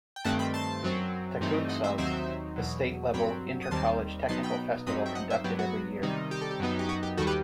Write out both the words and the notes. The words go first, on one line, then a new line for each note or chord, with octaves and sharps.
Techutsav - a State level inter college technical festival conducted every year.
G5
G2 D#3 A3 C4 F#5 A5
G5 B5
A5 C6
F#2 F#3 C4
G2 E3 A3 C4 D#4
D#5 F#5
C5 E5
D#2 D#3 F#3 C4 D#4 C5 E5
E2 B2 F#3
G2 F#3 C4 G5 B5
D#6
D#2 D#3 G3 C4 A5 C6
B2 F#3 B3 D#4 A5 C6
G5 B5
G2 F#3 C4 D#4 B5 D#6
E5 G5
D#5 F#5
C5 E5
G2 F#3 B3 G4
F#4
C3 D#3 G3 D#4
G4
A4
G4
F#2 F#3 B3 D#4
G4
F#4
G4
D#2 D#3 G3 F#4 A4
G4 B4